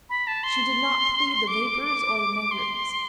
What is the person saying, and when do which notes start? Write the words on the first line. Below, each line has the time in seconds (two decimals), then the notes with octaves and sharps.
She did not plead the vapours or the megrims.
0.10 B5
0.27 A5
0.43 C6
1.47 D6
2.51 C6